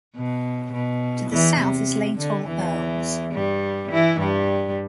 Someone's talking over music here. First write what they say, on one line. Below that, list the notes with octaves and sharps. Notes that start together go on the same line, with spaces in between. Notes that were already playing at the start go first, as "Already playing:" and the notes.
To the south is Leinthall Earls.
B2
B2
E2 E3
C3
D3
E2 E3
G2 G3
E3 E4
G2 G3